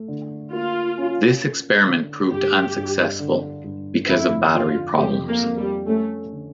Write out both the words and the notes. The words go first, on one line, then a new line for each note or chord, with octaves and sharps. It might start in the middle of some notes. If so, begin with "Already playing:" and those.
This experiment proved unsuccessful because of battery problems.
Already playing: A3
D3
A#3 F4
C#4
C#4
D3
G2 G4
G2
D3
G2
F2 E4
D3 F4
F2 G4
A#3
F2
G3
A3 C#4
D3